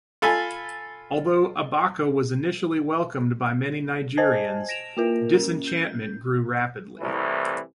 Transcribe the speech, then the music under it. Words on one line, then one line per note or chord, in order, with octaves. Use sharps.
Although Abacha was initially welcomed by many Nigerians, disenchantment grew rapidly.
F4 A4 G#5 B5
C5 D#5 G#5 A5 G#6
A#6 D7 E7 F7
A#3 F4 A#4
C#4
G6
C2 A2 E3